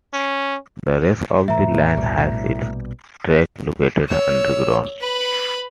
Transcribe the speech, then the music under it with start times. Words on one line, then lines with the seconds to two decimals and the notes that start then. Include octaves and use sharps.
The rest of the line has its tracks located underground.
0.13 C#4
1.48 A2 E3 A3 E5 A#5
1.97 A#1 B2 G3
4.08 C#5 E6
5.01 B4 B5